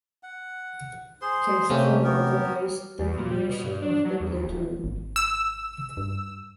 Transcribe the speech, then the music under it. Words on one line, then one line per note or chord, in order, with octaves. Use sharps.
Castro authorized the creation of the platoon.
F#5
G#4 C5 C6
C3 A3 A#3 C#4 G4
B3 G4 A#4
E2
A#2
G3
B2
G2
D4
F#3
E2
D#2
D#1
G#1
E6
G2